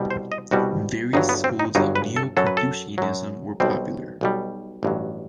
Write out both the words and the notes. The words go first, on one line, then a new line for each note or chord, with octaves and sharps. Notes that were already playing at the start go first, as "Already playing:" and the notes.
Various schools of neo-Confucianism were popular.
Already playing: C2 B2 G3
C5
D#5
C2 B2 G3 F#4
G1 G2 F#3 D#4
B3
C4
D#4
G1 G2 F#3 D#4
B4
A4
F#2 F#3 A4
B4
A4
F#2 F#3
B1 B2 G3 C4
B1 B2 G3
A1 G2 F#3